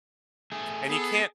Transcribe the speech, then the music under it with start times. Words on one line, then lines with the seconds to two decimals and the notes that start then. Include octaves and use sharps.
And you can't
0.52 A3 G#4
0.90 B3 G#4 A4